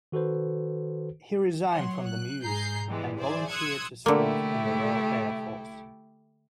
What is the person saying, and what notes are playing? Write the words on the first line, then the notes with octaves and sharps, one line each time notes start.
He resigned from the Mews and volunteered to serve in the Royal Air Force.
D#3 F#4 A4 B4 C5
F#3 C#5 F#5 C6
F#6
G#2 G#4 A#5 G6 C7
E3 G3 G#3 B3
G#4 C5 D5 E5 G#5
C6 D#6 E6 F#6 G#6 C#7
D3 A3 A#3 E4 G4